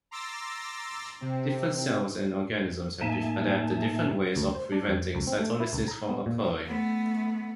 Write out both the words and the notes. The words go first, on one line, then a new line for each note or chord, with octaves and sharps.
Different cells and organisms have adapted different ways of preventing cytolysis from occurring.
A#5 C6 D6 E6 A6 A#6
C3 C4
A2 A#3 D#4 E5 G#5 A5
D2
C5
D4
F2
C#2
C4
A3
E4
C#2
A#5
B3
A#2
A3 B3